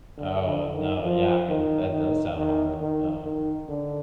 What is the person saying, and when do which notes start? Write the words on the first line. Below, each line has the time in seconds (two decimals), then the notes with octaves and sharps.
Oh, no, yeah, I mean, that does sound hard. Um,
0.18 D3
0.47 D3
0.75 D#3
1.05 F3
1.49 D#3
1.93 D#3
2.37 D#3
2.81 D#3
3.25 D#3
3.69 D3